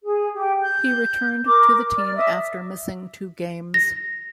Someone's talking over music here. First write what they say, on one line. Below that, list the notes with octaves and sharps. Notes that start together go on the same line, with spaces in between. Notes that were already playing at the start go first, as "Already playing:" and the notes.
He returned to the team after missing two games.
G#4
G4
G6
A#4 D6
D5 F6
D#5 E5 D6 D#6
A#6